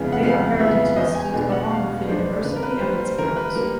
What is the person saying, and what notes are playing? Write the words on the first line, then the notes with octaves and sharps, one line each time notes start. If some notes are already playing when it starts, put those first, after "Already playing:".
They are heritage-listed along with the University and its grounds.
Already playing: F2 C#3 E3 G#3 B3
F#5
F2 F5
C#3 E3 G#3 B3 E5
E2 D#5
G#5
B2 G#3 B3 D4 G#5
F#5
E2 F5
B2 G#3 B3 D4 C5
D3 B4
A#4
B4
C5
G3 A#3 B4
C5
D3 A#4
B4
G3 A#3 A#4